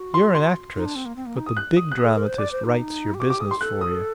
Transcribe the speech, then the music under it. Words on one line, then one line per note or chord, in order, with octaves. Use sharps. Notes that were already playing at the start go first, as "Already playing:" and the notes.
You're an actress, but the Big Dramatist writes your business for you.
Already playing: F#4
C6
C6
D#4
D4
C4
A#3
C4
A#3
D#4
D#6
F#6
D#6
F#6
D#6
A4
A#4
C5
D5 D6
C5
D#4
G4
F#4 D6
D6
G4
A4 D#6
G4 C6
A4 F#6
D#6